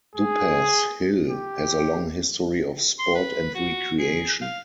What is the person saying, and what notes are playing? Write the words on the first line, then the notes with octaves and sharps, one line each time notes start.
Duppas Hill has a long history of sport and recreation.
G#4
G4
C6
B4
F#4
G#4
F5